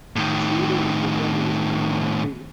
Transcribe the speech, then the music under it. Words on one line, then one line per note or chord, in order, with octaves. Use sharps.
Its leader is the journalist Pino Aprile.
A2 D#3